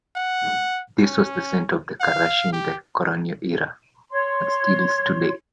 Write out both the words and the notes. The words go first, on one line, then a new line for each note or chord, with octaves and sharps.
This was the centre of Karachi in the colonial era, and still is today.
F#5
C#4
F5
G4
C#5 C6